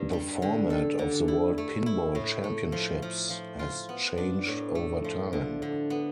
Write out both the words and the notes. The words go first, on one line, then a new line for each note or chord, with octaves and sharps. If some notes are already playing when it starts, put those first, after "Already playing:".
The format of the World Pinball Championships has changed over time.
Already playing: G2
G3
D3
A4
D3
E4
A3
E4
A2
A3
F3
F3
F3
F4
B3
D4
A2
A3
F3
D3
D3
B3